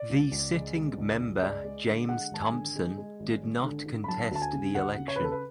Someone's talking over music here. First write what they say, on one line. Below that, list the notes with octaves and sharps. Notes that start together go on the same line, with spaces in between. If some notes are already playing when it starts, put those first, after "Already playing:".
The sitting member James Thompson did not contest the election.
Already playing: D5
C#2
C#2
G#3
G#3
C#2
C#2
G#3 D5
G#3
D3
G#3 F#5
G#1 A5
G#5
D3
G#3
G#3
G#1
G#1
D3
D3
B5
F#3 A5
D2 A5
G#5
C#3
D2 F#5
C#3
C#5
B4
C#3 A4
B4